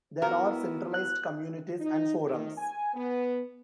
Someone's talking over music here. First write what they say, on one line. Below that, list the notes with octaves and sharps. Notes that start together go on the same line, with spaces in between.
There are centralized communities and forums.
B3 E4 F#4 A#4
F#6
D#4
D#3
G#5
B3